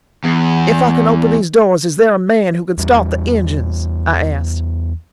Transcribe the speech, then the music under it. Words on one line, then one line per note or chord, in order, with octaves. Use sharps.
"If I can open these doors is there a man who can start the engines?" I asked.
E2
E2 G3